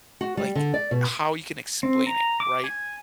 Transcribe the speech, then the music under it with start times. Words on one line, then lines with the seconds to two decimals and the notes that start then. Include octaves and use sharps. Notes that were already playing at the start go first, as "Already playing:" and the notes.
like, how you can explain it, right?
0.21 F#4
0.37 G3
0.55 D3
0.74 D5
0.91 B2
1.83 C4
2.07 A#5
2.40 D6
2.64 G#5